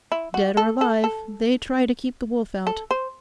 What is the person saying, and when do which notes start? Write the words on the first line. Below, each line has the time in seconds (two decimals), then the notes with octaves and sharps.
Dead or alive, they try to keep the wolf out.'
0.12 E4
0.34 F#4
0.57 A4
0.81 A4
1.04 A4
2.67 A4
2.91 C5